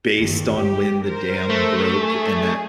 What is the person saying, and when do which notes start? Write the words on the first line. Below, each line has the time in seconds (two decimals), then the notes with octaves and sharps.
based on when the dam broke and that
0.18 G1 D#2
0.57 G4
1.06 A#4 C5
1.50 A3
2.02 G#4